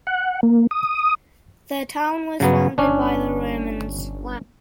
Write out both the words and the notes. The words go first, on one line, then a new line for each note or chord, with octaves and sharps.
The town was founded by the Romans.
F#5
A#3
D#6
G2 C#3 F#3 B3
G1 C#4 D4